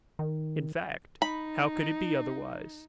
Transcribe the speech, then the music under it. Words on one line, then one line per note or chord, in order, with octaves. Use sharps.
In fact, how could it be otherwise?
D#3
D#4 B5